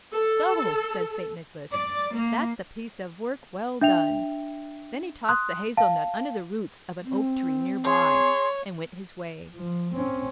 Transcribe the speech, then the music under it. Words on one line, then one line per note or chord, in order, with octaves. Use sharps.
"So!" says St. Nicholas, "that's a piece of work well done." Then he tossed the hazel-nut under the roots of an oak-tree near by, and went his way.
A4
D5
A#3
D4 E5 G5 F7
C6 D#6 F#6
F5 A5
C4
G#4 C#5 C6
F3
C4 C#4